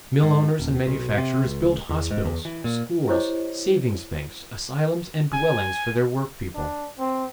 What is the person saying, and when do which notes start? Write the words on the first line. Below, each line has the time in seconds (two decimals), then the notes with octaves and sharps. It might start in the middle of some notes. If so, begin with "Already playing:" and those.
Millowners and manufacturers build hospitals, schools, savings banks, asylums, and dwellings for their workpeople.
0.23 G#2
0.60 D#1
0.87 B1
1.17 C3
1.44 C#2
1.89 E2
2.11 G#2
2.25 E2
2.45 E3
2.64 A#2
3.08 E4 G4 C5 C#5 D#5 D6
5.33 G#5
6.56 D4
6.99 C4